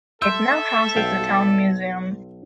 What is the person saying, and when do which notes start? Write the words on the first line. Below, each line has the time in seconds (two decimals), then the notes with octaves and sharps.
It now houses the town museum.
0.22 A4 E5 C6 E6 G6
0.96 B1 F5 G5